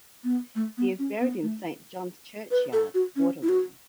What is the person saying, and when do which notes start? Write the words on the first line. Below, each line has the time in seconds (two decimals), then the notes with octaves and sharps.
He is buried in Saint John's Church-yard, Waterloo.
0.24 B3
0.55 A3
0.78 B3
0.99 C#4
1.21 B3
1.43 A3
2.51 B4
2.73 A4
2.94 F#4
3.16 C#4
3.42 E4
3.49 F#4